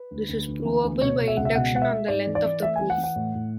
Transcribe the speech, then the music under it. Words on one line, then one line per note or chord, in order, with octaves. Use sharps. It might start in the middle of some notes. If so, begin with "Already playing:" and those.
This is provable by induction on the length of the proof.
Already playing: B4
D2
D2
D2
E3
D2
B2 C#5
B2
E5
C#2 F#5
E5
B2 F#5
G#3 F#5
E5
G#3
G#2 D5
E3
D5
E3
A3 E5
G#5
E3
F#5
E3
F#5
A2
A2